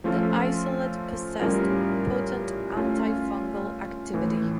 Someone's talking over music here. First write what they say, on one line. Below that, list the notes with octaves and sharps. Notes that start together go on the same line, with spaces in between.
The isolate possessed potent antifungal activity.
F3 A3 C#4 F4 A4
A2 G3 C#4 F4 A#4
A3 C#4 F4
A2 E3 A3